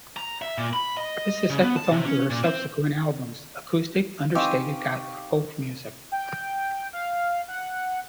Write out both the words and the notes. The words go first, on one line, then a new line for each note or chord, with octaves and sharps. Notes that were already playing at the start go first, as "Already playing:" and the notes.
This has set the tone for her subsequent albums: acoustic understated gothic folk music.
A#5
E5
A#2
B5
D#5
C#3
B3
A5
C3
C#4
A#2
C4
C4 D#4 G4 D#5 F5 G#5 C#6 D6
G5
F5
F#5